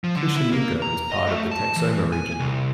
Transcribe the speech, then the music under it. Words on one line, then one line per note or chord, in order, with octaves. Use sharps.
Tishomingo is part of the Texoma Region.
F3
D3
E4
A#3
A#5
D#5
A3
A5
E3
G#5
C2